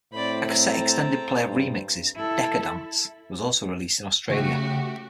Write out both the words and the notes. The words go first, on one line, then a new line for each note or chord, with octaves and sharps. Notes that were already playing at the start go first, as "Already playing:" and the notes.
A cassette extended play of remixes, "Dekadance", was also released in Australia.
A2 C4 D5 B5
A4 A#5
G2
E4 A4
C#3 A3 F#4 G4